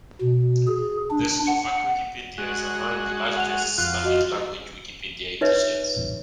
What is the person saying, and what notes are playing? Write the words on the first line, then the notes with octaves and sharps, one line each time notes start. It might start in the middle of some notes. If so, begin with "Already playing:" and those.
The Slovak Wikipedia is among the largest Slavic-language Wikipedia editions.
B2
G#4
D4
F#5
G#3 F#4
F#5 F7
F2 F4 F#6
F#4 D#5
D#4 B4 C#5 E5